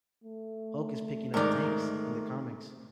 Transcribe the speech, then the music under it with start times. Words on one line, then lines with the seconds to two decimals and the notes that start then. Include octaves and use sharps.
Hulk is picking up tanks in the comics,
0.24 A3
1.34 G#2 D#3 A#4 D5